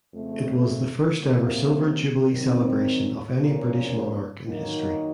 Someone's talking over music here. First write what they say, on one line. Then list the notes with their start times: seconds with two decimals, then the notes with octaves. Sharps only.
It was the first ever Silver Jubilee celebration of any British monarch in history.
0.13 F2 C#3 A3
1.21 C3 F#3 A#3
2.30 D#3 F#3 C4
3.39 A#2 F3 A#3 C#4
4.47 D#3 F#3 A#3 D#4